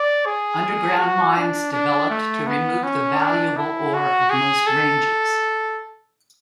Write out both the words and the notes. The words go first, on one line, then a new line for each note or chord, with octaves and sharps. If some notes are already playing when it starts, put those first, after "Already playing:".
Underground mines developed to remove the valuable ore of most ranges.
Already playing: D5
G#4
F#4
D4
D4
A3
B3
C#4
D4
E4
F#4
G#4
A4